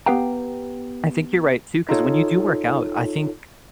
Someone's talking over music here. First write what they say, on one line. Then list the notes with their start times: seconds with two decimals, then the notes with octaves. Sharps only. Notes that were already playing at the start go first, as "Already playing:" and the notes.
I think you're right too, cause when you do work out, I think,
0.06 B3 G4 B4 F5 G5 A#5
1.89 D#4 F4 A4 C#5